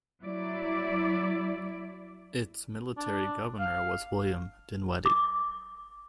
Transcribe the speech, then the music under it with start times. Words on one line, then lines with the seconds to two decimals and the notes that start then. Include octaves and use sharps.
Its military governor was William Dinweddie.
0.24 F#3 E4 D5
2.97 D4
3.60 F5
5.06 D6